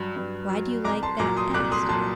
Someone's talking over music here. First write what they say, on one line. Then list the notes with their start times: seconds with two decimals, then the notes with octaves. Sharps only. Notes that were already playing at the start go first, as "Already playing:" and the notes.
"Why do you like that best?"
Already playing: G2 F#3
0.16 G2
0.50 F#3
0.84 C2 A#5 D6
1.03 A5 C6
1.19 A#2 F#3 A#5 D6
1.37 C6 D#6
1.54 C2 D6 F#6
1.72 C6 D#6
1.89 A#2 A5 C6
1.93 F#3